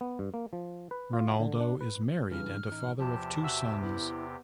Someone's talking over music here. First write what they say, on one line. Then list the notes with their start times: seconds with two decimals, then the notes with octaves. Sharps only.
Ronaldo is married and a father of two sons.
0.01 B3
0.19 G2
0.34 A#3
0.53 F3
0.91 B4
1.13 F4
1.40 D3
1.60 D4
1.81 B4
2.31 G2 C#3 E3 F6
2.68 A1 D#4
2.99 E2 C3 F3 G4 A5
3.43 F#4 E5 E6
3.83 B3 E4